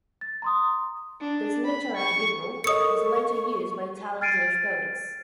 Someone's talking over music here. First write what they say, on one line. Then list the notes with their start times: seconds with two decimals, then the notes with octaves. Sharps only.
This literary Hebrew was later used by Italian Jewish poets.
0.21 A6
0.42 A#5 C6 D#6
1.21 D4
1.65 B5
1.97 C#6
2.64 A4 A#4 C#5 D#5 C#6 D#6 C#7
4.21 F6 G#6 A6 C7 D7 D#7